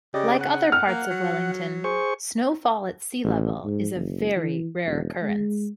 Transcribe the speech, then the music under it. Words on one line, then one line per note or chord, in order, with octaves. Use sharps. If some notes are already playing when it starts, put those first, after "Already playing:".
Like other parts of Wellington, snowfall at sea level is a very rare occurrence.
C#3 G4 D5 D#5
F#5
F6
A#3
F#3
G#4 C5 C#6
A1
G#2
F#1
E3
E1
G#3